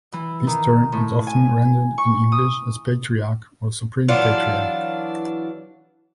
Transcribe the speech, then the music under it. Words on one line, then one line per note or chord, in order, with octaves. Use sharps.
This term is often rendered in English as 'Patriarch' or 'Supreme Patriarch'.
E3
D#3
A2
G#5
C#6
D#6
E3 F#3 D4 F4